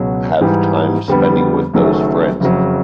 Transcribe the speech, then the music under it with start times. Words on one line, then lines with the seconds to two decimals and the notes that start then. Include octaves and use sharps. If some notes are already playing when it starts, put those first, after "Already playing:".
have time spending with those friends.
Already playing: C#2 B2 F#3
0.41 G#2 E3 G3
1.08 F2 D3 G3 B3
1.74 F#1 F#2 D#3 F#3 A3
2.40 F#1 F2 C#3 F#3